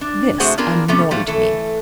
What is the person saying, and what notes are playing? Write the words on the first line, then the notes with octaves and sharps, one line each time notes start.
This annoyed me.
D4
C3 A3 F#4 G#4 C5 F#5
B3 D4 F4 G#4 A#4
C3 G3 A3 B3 C#4
B2 E3 F3 G3 A3
E3 A3 A4